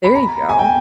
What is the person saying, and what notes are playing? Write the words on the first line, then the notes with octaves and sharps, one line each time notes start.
There you go.
B5
A#5
G#5
G5